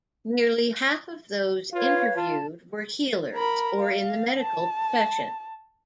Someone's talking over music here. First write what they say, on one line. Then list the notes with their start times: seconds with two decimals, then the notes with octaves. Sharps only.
Nearly half of those interviewed were healers or in the medical profession.
1.73 F4 B4 C#5 F5
2.16 F4 A5
3.35 A#4 B5
3.80 F5
4.40 A5